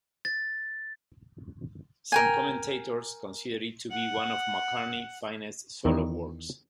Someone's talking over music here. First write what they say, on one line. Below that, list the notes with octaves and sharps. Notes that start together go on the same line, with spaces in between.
Some commentators consider it to be one of McCartney's finest solo works.
A6
A#4 G5 G#5
F#5
E2 D#3 D#4 D5 E5 A#5